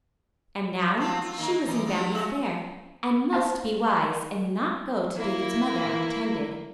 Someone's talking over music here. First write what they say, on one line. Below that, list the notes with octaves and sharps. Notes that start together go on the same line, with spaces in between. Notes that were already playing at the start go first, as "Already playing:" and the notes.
And now she was in "Vanity Fair," and must be wise and not go to David's mother unattended.
F3 F#3 C4
F4
D#3 A#3
E3 D#4
F#3 G3 B3
G#3 F#4 E5
C5 F5 A5
A#3 E4